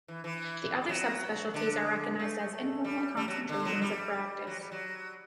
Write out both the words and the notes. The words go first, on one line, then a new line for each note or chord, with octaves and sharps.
The other subspecialties are recognized as informal concentrations of practice.
E3
E3
G3
F#3
D3
A3
G3
G3
F#3
D3
F#3
G3
F#3
G3
F#3